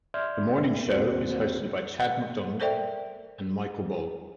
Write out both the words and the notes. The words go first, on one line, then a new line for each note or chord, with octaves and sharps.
The morning show is hosted by Chad McDonald and Michael Ball.
D5 E5 C6 F6 G6 G#6
D#2 A#3 C4 F#4 C5 F#6
A4 A#4 C5 D5 E5 G5